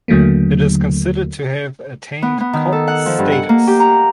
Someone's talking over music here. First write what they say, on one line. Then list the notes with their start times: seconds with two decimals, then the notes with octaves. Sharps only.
It is considered to have attained cult status.
0.08 D#2 D3 F#3 A3 A#3
2.22 B3
2.40 B3
2.53 D#3
2.72 A4
2.88 F#5
3.06 F3
3.19 G2
3.32 F#5
3.49 A#3
3.67 G4
3.80 A#5